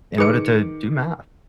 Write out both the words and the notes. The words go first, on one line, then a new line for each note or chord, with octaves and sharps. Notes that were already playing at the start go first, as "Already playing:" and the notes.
in order to do math.
D#3 G#4 B4 D6 C#7